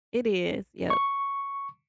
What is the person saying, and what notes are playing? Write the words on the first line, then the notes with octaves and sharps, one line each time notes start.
It is, yep.
C#6